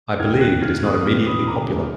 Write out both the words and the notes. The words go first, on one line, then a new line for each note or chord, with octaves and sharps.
I believe it is not immediately popular.
D#2 F6 G#6
D#3 F#6 A#6
D#3 F6 G#6
B3 D#6 F#6
B3 D6 F6
F#2 B5 D#6
D2 A#5 D6
G#3